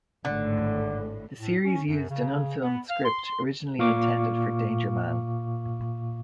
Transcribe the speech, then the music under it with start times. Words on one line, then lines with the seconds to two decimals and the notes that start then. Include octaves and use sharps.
The series used an unfilmed script originally intended for "Danger Man".
0.25 G#1 A2 D3
1.39 A2
1.65 C#4
1.86 F#2
2.09 C#3
2.62 B3
2.90 F5
3.05 C6
3.79 A#2 F5 C#6 D6